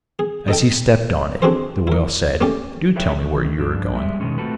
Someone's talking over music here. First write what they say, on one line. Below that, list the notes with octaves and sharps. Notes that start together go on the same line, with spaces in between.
As he stepped on it the whale said, 'Do tell me where you are going.'
G#4
D#4 A4 G5
C4 D4 F#4 G#4 A4 C5
E4 A#4
A3 A#3 C#4 G4 D5
G#4 B4 C#5 E5 F5 G5
D#3
G2 F3 D4
G3 G#3 E5
B2 D#3 G#3 C#4
A3 C4 F4 F#4 A4 B4